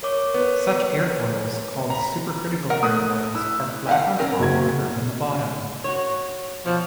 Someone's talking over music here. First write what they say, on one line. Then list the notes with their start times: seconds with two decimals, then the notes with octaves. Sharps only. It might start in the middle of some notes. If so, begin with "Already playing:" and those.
Such airfoils, called supercritical airfoils, are flat on top and curved on the bottom.
0.03 A#4 C#5 D6
0.34 B3
1.90 A#5 B5
2.70 A#4 F#5
2.82 A3 D#6 F#6
3.35 E4 E6
3.87 G4 F5 F#5
4.19 C4 C#4 A#4
4.39 F#1 F#4 G#6
5.84 F#4 C#5
6.66 B2 F3